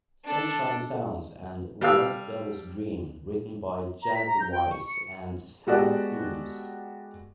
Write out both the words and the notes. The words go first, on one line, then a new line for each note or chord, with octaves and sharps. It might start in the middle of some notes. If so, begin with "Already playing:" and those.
"Sunshine Sounds" and "White Devil's Dream" written by Janet Weiss and Sam Coomes.
D4 A4
G3 A4 F5 E6
A#5
B6
A#5
G6
G5
C#6
C#7
G#3 B3 F#4 G4 A4 D5